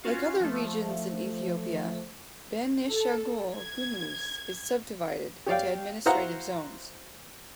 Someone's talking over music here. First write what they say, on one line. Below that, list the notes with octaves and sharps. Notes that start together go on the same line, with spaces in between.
Like other Regions in Ethiopia, Benishangul-Gumuz is subdivided into administrative zones.
C#4 F4 F#4 F5
F3 A3
A4
G#6
G4 C#5 D5 F5 G5
E4 F#4 C5 F5 F#5 A#5